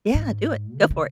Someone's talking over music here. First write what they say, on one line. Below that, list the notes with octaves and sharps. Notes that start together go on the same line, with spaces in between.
Yeah, do it. Go for it.
G#2
D#3
C#3